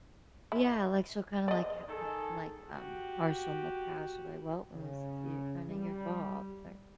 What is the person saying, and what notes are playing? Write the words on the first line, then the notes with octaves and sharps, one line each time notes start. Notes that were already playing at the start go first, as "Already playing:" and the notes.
Yeah, like, she'll kinda, like ha ha like, um, partial in the past, she'll be like, "Well, mm, skit kinda your fault," or
E4
D5 D#5
D#3 G#4 A4
F#4 G4
C#3
G3